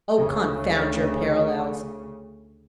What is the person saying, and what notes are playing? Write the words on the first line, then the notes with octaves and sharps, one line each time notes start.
'Oh, confound your parallels!
D2 C#3